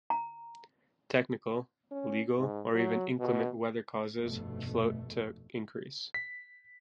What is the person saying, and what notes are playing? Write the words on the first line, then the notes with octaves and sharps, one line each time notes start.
Technical, legal or even inclement weather causes float to increase.
A#5
C#4
G#2
F#3
B2
F1 G2 B2 A3
B6